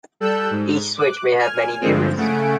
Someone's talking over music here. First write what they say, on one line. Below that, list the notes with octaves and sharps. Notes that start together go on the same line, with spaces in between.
Each switch may have many neighbors.
G3 A4 E6 F#6 G6
G#2
D6 F#6
G#5 F6 G#6
G2 D3 F3 G#3 C4
C#3 A3 F#5 G#5 D7